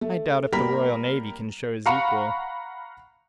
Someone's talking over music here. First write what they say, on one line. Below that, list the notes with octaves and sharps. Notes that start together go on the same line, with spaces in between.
I doubt if the Royal Navy can show his equal.
A3
G3 A#3 A#4 B5 B6
F5 F#5 A#5 B5 C#6 C#7